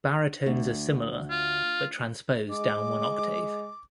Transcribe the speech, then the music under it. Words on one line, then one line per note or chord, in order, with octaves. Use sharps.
Baritones are similar, but transpose down one octave.
D2
F4
G#3 D6